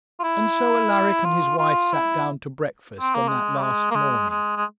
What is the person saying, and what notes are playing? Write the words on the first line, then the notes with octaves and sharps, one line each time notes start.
And so Alaric and his wife sat down to breakfast on that last morning.
F4
E4
F4
F4
E4
C4
A#3
G#3
G3
G#3
A#3
G#3
G#3
G#3